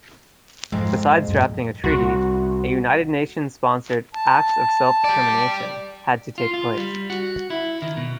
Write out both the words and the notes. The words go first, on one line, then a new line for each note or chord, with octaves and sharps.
Besides drafting a treaty, a United Nations-sponsored "act of self-determination" had to take place.
F2 G#2 F3 G#3
F#2 A#2
C2 F#4
A5
G4 D5
F4
F4
G3
F#4
E4
D#3
B2